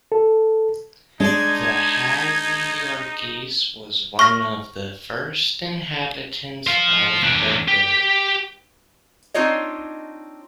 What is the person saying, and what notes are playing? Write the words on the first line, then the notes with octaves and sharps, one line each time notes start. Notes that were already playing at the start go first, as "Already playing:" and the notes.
The Hadjiyiorkis was one of the first inhabitants of the village.
A4
G#3 D4 D#4 D5 G#6
C#6 F6 A#6
C5 F5
E2 D4
G4
C4 D4 D#4 F4 C#5 D#5